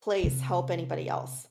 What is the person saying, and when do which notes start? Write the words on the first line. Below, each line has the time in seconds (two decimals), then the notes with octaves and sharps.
place, help anybody else.
0.24 C3